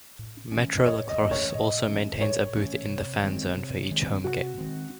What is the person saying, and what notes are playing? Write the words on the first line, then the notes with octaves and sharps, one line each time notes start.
MetroLacrosse also maintains a booth in the Fan Zone for each home game.
A2
E3 A3 C#4
D#5
A2 C#5
D#5
E3 A3 C#4
C#5
A2 D#5
E3 A3 C#4
A2 C#5
E3 A3 C#4
C3
D#3 G#3 C4
C3
D#3 G#3 C4
C3 F#4
D#3 G#3 C4